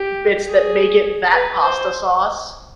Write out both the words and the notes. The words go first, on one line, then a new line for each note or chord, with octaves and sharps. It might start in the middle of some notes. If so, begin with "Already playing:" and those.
bits that make it that pasta sauce.
Already playing: G4
G#4
B4
C5